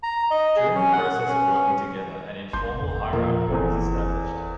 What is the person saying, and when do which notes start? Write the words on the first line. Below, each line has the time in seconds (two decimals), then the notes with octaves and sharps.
During the process of working together an "informal hierarchy" is established.
0.03 A#5
0.31 D#5
0.56 G#4
0.75 C#4
0.93 F#5
1.28 C#4
2.53 G1 C6 G6
2.82 E2
3.13 A#2 F3 A#3
3.48 F#1 E2 C4 A4